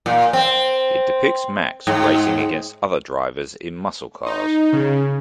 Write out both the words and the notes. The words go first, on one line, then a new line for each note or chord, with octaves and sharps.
It depicts Max racing against other drivers in muscle cars.
A#2
C4
G#2
D#4
C#3